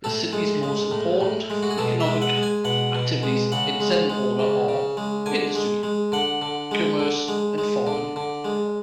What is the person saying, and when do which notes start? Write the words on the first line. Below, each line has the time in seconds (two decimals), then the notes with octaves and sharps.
The city's most important economic activities, in descending order, are industry, commerce and farming.
0.04 A2 A4
0.33 G#3
0.63 G#3
0.91 A2
1.21 A2
1.50 G#3
1.63 F#4
1.71 G#4
1.78 B2 A4
2.00 E5
2.07 G#3
2.22 F#5
2.37 G#3
2.43 G#5
2.64 B2 F#5
2.95 B2
3.23 G#3
3.52 C#3 F#5
3.80 G#3
4.10 G#3
4.39 C#3
4.68 C#3
4.97 G#3
5.26 D3 G#5
5.55 G#3
5.83 G#3
6.12 D3 F#5
6.42 D3
6.71 G#3
6.99 D3
7.28 G#3
7.58 G#3
7.87 D3
8.16 D3
8.45 G#3